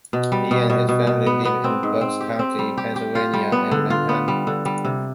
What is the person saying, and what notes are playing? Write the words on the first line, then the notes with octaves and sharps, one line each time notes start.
He and his family live in Bucks County, Pennsylvania, and Manhattan.
B2
G3
B2
B2
B2
B2
B3
B3
C4
G#2
C4
G4
C4
G3
G4
G4
F4
G3
B3
D3
F4
B3
G3
D3
G3
C3